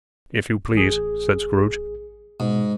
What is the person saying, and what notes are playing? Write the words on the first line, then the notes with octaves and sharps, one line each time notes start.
'If you please,' said Scrooge.
A1 G#4
G#2 B2